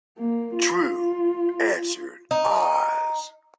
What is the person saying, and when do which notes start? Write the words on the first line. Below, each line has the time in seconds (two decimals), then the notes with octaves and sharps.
"True," answered Oz.
0.18 A#3
0.56 F4
2.31 D#4